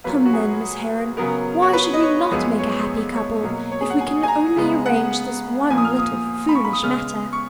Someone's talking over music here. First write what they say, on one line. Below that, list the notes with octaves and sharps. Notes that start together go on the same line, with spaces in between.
Come, then, Miss Heron, why should we not make a happy couple, if we can only arrange this one little foolish matter?
A#2 F#3 A#3 B4
F#4
G#4
C#3 F#3 B3 A#4
C#5
B4
D#5
C#5
F#2 F3 G#3 B3
C#5
C#5
B2 F#3 A#3
C#5
G#4
F#5
G#5
G#5
A#5
C#3 G#3 B3
F#5
A#2 F3 A#3 G#5
D#6
F6
D#6
B5
C#6
B5
D#6
C#3 G#3 B3 F6
C#6